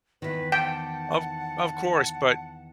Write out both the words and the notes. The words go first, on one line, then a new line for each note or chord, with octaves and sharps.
Of of course but
E2 D#3 B4
F#5 G5 A5